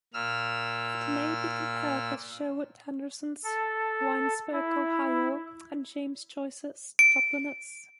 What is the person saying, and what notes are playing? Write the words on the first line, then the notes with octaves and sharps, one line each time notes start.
It may be compared with Sherwood Anderson's "Winesburg, Ohio" and James Joyce's "Dubliners".
A#2 E6 F6
A4
E4
D7